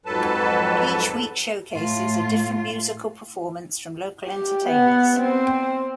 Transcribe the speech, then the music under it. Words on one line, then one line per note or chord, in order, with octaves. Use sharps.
Each week showcases a different musical performance from local entertainers.
F2 G#2 F#3 A4 B4 A5
A2 F4
G4
B3
C4